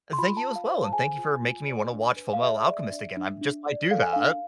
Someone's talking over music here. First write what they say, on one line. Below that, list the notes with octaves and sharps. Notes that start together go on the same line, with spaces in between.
Thank you as well and thank you for making me wanna watch Fullmetal Alchemist again, I just might do that.
C6
F4 B5
A5
F4
F5
C5
F5
A5
G#4 G#5
F4
F4
D5
D4
B4
F5
G#4 E5
D5
D4
D4
D4
D5
A4 F5
G#5
D4 F5